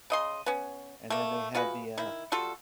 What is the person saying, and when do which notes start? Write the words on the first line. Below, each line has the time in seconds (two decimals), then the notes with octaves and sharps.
and then they had the, uh
0.10 C#3 D#5 C6
0.46 B3 C#4
1.10 A3 A#3
1.55 F4 F#4 G#4 B4
1.98 D#3 E4
2.32 G3 F4 F#4 A4